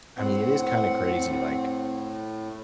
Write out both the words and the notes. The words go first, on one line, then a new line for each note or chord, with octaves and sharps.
I mean, it is kinda crazy, like,
A2 C4 F#5